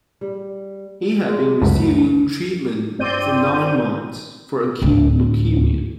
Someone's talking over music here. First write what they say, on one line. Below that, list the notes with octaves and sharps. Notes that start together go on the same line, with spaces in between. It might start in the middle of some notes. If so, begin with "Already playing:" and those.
He had been receiving treatment for nine months for acute leukaemia.
G3
G#3
C#2 F#2 A3 C#4 B4
G1 C4 D5 G6 D#7
D2 A2